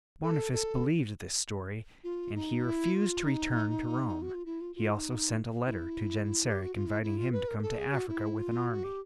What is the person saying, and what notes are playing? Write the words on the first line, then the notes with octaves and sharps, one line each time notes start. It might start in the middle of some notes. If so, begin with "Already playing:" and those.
Boniface believed this story, and he refused to return to Rome. He also sent a letter to Genseric, inviting him to come to Africa with an army.
A4
A4
F4
D#4
E4
F4
D#4
F#4
F4
E4
F4
F4
D#4
E4
G4
F#4
F4
E4
E4
F4
B4
A#4
A#4
A4
G#4
F#4
E4
F4
F#4
G4